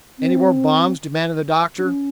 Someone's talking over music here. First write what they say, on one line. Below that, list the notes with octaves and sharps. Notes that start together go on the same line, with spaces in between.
"Any more bombs?" demanded the doctor.
C4
D4
C#4